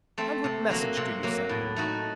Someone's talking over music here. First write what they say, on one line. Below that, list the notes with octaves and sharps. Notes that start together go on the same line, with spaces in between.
"And what message do you send him?"
A3 C4
C3
F#3 A#3 F#4
C3
F#3 A#3 F#4
A2
A3 D#4 F#4